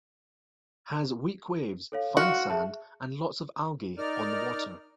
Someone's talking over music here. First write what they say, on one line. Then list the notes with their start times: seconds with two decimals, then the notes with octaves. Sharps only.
Has weak waves, fine sand and lots of algae on the water.
1.92 A4 C#5 F5
2.17 F#4 F5 C6 F6
2.50 G#4 E5 A5
3.98 D#4 A#4 D5 F6